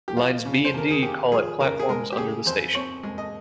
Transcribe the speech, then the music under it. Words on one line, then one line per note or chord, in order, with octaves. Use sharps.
Lines B and D call at platforms under the station.
G4
F3 F4
C#3
C5
D#2 A#4
G#4
A#3 G4
F3 G#4
C#3 A#4
G#4
G#3 A#4
G4
C#3 G#4
F2 C5
C4 C#5
G#3
D#5